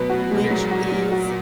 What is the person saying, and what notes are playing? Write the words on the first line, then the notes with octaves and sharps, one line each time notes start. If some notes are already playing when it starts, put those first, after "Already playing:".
which is
Already playing: B2 F#3 B4
F#4
G#3
B2
A#2 F#3
F#4
F#3
F#4